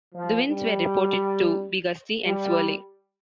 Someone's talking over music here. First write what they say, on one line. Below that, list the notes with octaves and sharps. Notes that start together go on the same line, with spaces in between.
The winds were reported to be gusty and swirling.
F3
G3
G3